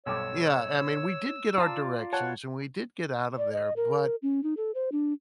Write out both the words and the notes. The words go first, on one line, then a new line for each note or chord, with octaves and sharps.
yeah, I mean, we did get our directions and we did get out of there, but
B1 G2 C#5 D6 E6
F4 D5 A5 A#5
C#5 F#5 A5
D5
D#5
A#4
C#4
D#4
A4
C5
D4